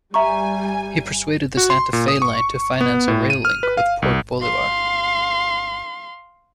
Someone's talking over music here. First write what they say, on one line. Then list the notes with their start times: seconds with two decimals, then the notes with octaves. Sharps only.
He persuaded the Santa Fe line to finance a rail link with Port Bolivar.
0.14 G3 E5 G#5 A#5 C#6
1.57 F#4
1.70 C6
1.93 A#2
2.08 D#6
2.22 C#6
2.81 B3
3.08 A2
3.30 D#7
3.45 F6
3.63 B4
3.77 F5
4.02 C2
4.42 F5 C6